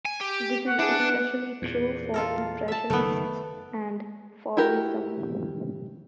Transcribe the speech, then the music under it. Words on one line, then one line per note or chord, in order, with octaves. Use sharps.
This is especially true for Impressionists and Fauvism.
G#5
G4
F#5
D4 E4 G#4
B3
E2 A#2
F4 A4 A#4
E5 A5
F#1 D#3 A3 B3
E4 F#4 G4 A#4